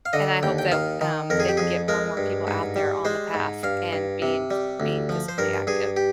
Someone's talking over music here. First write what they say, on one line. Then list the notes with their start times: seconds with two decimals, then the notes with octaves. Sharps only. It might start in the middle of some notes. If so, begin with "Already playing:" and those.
And I hope that, um, they can get more and more people out there on the path and being, ph being physically active.
0.06 F5
0.13 D3 D#5
0.43 D#2 G5
0.59 G5
0.72 D#3 F5
1.01 D#3
1.30 F2 A#4
1.40 G#4
1.49 G4
1.57 F2 G#4
1.88 G#3 A#4
2.17 G2
2.47 G#2
2.76 G3
3.05 G#3 C5
3.34 G#2
3.63 G2 F5
3.93 G2
4.22 C3
4.51 G3
4.80 D2
5.09 F3
5.29 C5
5.38 G2 A#4
5.67 G2 G#4
5.97 G4